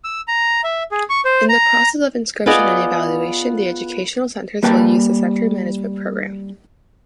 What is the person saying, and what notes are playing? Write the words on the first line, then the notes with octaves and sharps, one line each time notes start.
In the process of inscription and evaluation the educational centers will use the Center Management Program.
E6
A#5
E5
G#4
C#6
C5
A#5
B3 F4 G#4 D5 D#5
G3 A#3 B4 G5 A5